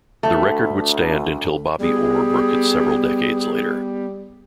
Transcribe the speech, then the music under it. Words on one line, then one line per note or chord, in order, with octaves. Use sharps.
The record would stand until Bobby Orr broke it several decades later.
D2 A3
G3 B3 G#4